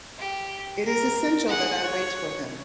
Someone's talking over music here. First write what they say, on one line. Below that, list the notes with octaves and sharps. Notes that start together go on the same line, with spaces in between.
It is essential that I wait for him.
G4
A#4
G#4 F#5
C#5